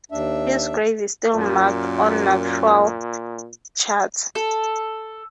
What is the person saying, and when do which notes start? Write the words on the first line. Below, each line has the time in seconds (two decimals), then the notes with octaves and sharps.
His grave is still marked on nautical charts.
0.11 D#2 D4 E5
1.34 F#2 A#2
4.35 A4